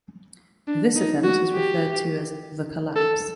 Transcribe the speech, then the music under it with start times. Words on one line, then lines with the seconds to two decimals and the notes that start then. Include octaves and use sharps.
This event is referred to as "the collapse".
0.67 D4
0.96 D#4
1.24 F#4
1.53 G4
2.95 A4